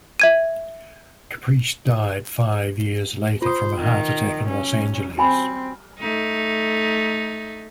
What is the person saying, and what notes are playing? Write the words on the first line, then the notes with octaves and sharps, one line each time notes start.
Caprice died five years later from a heart attack in Los Angeles.
E5 G#6 D#7
F4 C5 D#6
D#3
C#4
C4 F#4 G#5 B5
A3 D#4